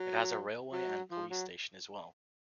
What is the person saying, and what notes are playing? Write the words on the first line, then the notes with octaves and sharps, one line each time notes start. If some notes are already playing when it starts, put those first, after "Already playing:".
It has a railway and police station as well.
Already playing: F#3
F#3
F3
F#3